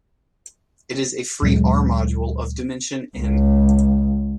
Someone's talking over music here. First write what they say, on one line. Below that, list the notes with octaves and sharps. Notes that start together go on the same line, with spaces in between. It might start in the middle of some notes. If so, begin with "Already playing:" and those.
It is a free "R"-module of dimension "n".
D2 A#2 F#3 G#3
C#2